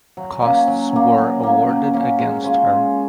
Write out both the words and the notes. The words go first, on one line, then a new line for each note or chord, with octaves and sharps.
Costs were awarded against her.
F#3
A#3 C#4
F#3
A#3 C#4
F#3
A#3 C#4
F#3
A#3 C#4
G#3
C#4 F4 G#4
G#3